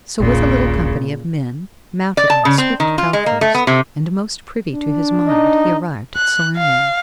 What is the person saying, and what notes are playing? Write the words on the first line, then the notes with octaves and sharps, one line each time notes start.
So with a little company of men, mounted on swift palfreys, and most privy to his mind, he arrived at Salerno.
D#1 A#1 A#2 C#3
D5
A5
C#3
C4
D#3
F4
G#3
A#3
A3
B3
C3
D4
D#4 D#5
F#6
F5